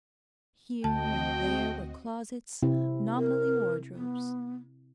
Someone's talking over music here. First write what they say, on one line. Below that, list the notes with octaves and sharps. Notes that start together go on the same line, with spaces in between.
Here and there were closets, nominally wardrobes.
D2 C4 F#4 D#5 G5 A5
C3 C4 E4
A#4
B3